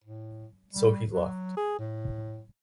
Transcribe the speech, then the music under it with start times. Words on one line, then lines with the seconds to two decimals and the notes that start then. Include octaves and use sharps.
So he left.
0.04 A2
0.73 G3
1.10 F#3
1.57 G#4
1.79 A2